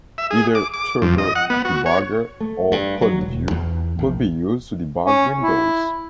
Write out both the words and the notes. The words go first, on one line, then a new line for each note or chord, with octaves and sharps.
Either Turbo Debugger or CodeView could be used to debug Windows.
E5
G#4
D6
D6
F2
D#5
F#5
B3
F#4
C#5
A3
G2
F#3
E1
E2
A#1
C#4
E4